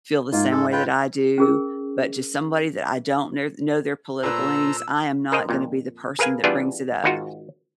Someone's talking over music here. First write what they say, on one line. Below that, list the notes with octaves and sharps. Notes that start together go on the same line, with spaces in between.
feel the same way that I do, but to somebody that I don't kne know their political leanings, I am not gonna be the person that brings it up.
G#2 A#3 F4
G#3 A4
F4 B4 G5
C#4 G#4 A#4
A#2 A4 B4 C5 A#5 E6
A#4 C5 D#5
F2 A#2
G#4 A#4 B4 F5 G#5
E3 G3 B3 D4 F4 G#4
G#1 G#2 D#4 F4 F#4